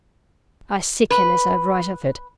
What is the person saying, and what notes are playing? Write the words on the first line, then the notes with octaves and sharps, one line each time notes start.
I sicken as I write of it.
B4